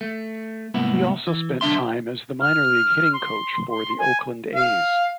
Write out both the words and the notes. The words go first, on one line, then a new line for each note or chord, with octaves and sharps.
He also spent time as the minor league hitting coach for the Oakland A's.
A3
C2 G#2 A#3 B3 E4
E3
B1 D3 D4 E5 C6
F6
C6
C6
G#5
F5